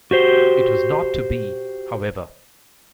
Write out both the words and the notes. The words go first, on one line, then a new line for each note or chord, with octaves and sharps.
It was not to be, however.
F#4 G4 C5